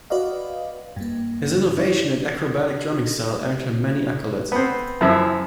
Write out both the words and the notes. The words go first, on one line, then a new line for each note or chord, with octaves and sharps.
His innovation and acrobatic drumming style earned him many accolades.
F#4 B4 D5 D#5 F5
G2 A#3
C#4 E4 C#5 D5
B3 C4
F#2 F3 E4